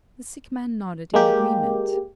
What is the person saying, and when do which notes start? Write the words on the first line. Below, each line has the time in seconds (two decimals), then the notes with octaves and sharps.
The sick man nodded in agreement.
1.14 G#3 A#3 G4